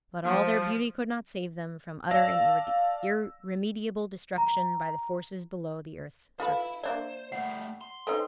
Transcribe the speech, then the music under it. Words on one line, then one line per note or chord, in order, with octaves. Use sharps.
But all their beauty could not save them from utter and irremediable destruction by the forces below the earth's surface.
F3
D5 F5 A5 E6 A#6
A#5
F4 A4 B4 E5 B5
A#3 D4 C5 D5 E5
G3 A3 F#5
C6
C4 C#4 D#4 A4 B4